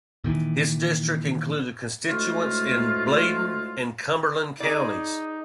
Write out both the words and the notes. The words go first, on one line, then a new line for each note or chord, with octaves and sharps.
His district included constituents in Bladen and Cumberland counties.
A#2 D#3 E3
D2 A2 G#3 A3 F4
D#4 G#4 D5